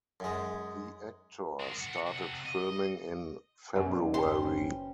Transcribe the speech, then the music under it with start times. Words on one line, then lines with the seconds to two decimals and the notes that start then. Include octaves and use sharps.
The actor started filming in February.
0.20 F#2 G#3
1.60 G#3 A#4
1.80 A#2 F#5
2.06 C3 F#5
2.46 D#5
3.76 F#2 B2 C#4 B4 D5
4.14 F#1 C#4 B4 C5 G5 C6